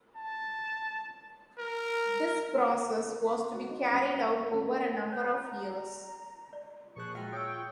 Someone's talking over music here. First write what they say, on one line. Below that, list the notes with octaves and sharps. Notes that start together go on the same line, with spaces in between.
This process was to be carried out over a number of years.
A5
A#4
A#4
B5
C6
F#4
D#4
F#2
F#6
C#6
A1
A#3
C5 C#5
A#5
D5
A#2 F3 G#4 C#6 F#6
G#3 F4 F#4 E5 F#5 G5 A#5 F6
C#5 G5 C#6 D#6 E6